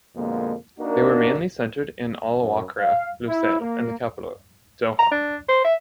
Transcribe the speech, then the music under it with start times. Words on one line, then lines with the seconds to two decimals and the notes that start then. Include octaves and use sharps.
They were mainly centered in Al Wakrah, Lusail and the capital Doha.
0.15 F2 B2 D3 G#3 A#3
0.79 A#3 D4 D#4 F#4 A#4
2.40 F#2
2.79 F5
3.27 E4
3.60 A#3
4.98 A#5
5.11 D4
5.48 C5
5.64 E5